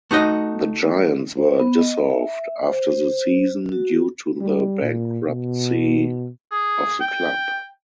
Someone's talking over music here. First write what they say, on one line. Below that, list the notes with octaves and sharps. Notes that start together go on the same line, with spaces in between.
The Giants were dissolved after the season due to the bankruptcy of the club.
A3 D#4 F#4 D#5
C5
B3
D#5
E5
C5
F#4
G3
A#2
B2
G#4
G5